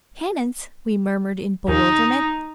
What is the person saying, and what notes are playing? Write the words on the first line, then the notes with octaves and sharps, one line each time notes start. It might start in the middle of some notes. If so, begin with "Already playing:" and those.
"Penance?" we murmured in bewilderment.
D#2 D#4